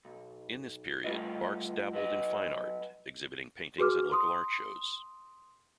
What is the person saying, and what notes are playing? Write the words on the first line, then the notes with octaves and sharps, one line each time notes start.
In this period Barks dabbled in fine art, exhibiting paintings at local art shows.
B1
G3 A3 F4 B4 D#5
F#3 B4 D#5
F#4 G#4 B4 D6 F6
C6 D#6